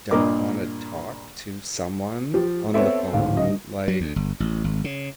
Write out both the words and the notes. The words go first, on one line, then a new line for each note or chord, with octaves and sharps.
don't want to talk to someone on the phone, like
G2 A#2 A#4 D#5 D6
F3 G4
B3 C4 A4 C#5 E5
D1 G#1 F5
D#5
F#3
D2
G1
A1
G#1
C#3